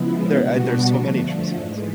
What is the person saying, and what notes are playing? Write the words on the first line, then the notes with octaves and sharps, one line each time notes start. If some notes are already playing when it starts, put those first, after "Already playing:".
there uh, there's so many true selves.
Already playing: C#3 F3 G#3 B3 E4
B2 G3 B3 D4 F#4
D3 F3 A3
G#2 E3 G#3